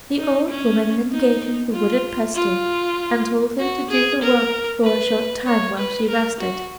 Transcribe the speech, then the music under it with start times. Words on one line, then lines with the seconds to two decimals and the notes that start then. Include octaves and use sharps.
The old woman then gave him the wooden pestle and told him to do the work for a short time while she rested.
0.18 D#4
0.48 C#4
1.12 D#4
1.73 F4
2.36 F4
3.59 F#4
3.91 G#4
4.23 A#4
4.84 B4
5.47 C#5
5.78 B4
6.08 A#4
6.40 F#4